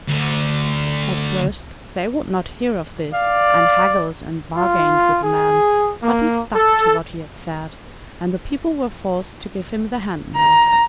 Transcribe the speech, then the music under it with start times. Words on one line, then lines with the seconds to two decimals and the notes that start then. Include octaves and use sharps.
At first they would not hear of this, and haggled and bargained with the man, but he stuck to what he had said, and the people were forced to give him the hand-mill.
0.09 D2 D3
3.13 D5 F5
4.57 F4
5.23 G#4
6.03 A#3
6.55 A4
10.35 A#5